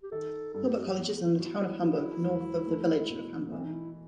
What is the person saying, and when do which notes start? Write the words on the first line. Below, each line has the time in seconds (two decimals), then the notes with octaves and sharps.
Hilbert College is in the town of Hamburg, north of the village of Hamburg.
0.03 G4
0.12 D#3 A4
0.54 G2 A4
0.65 G4
0.75 F#4
0.86 G4
0.97 B3
1.39 F#3 E4
1.82 F#3
2.24 E1
2.67 A3
3.10 B2
3.48 B3
3.52 E3 C4
3.65 D#4
3.73 E4